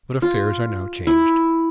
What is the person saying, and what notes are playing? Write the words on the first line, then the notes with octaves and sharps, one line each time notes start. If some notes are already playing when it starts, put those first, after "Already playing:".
But affairs are now changed.
F4
E4